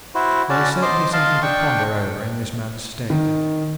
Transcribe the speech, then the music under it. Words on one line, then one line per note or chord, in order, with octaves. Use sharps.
There is certainly something to ponder over in this man's state.
E4 F#4 C5
C#4 F#4 D5 A5
C5 D#5 C6 D6
D#5 F5 A5 C6
D4 G5 C#6
D#3